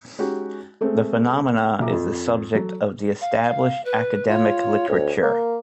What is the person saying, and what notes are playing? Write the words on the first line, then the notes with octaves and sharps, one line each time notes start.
The phenomenon is the subject of established academic literature.
G#3 C#4 D#4 F#4 G4
G#3 A3 C4
B1 A#2 E5 A#5 D6
F2
F#3 A4
F5
B4
F4 C#5
D2
A#3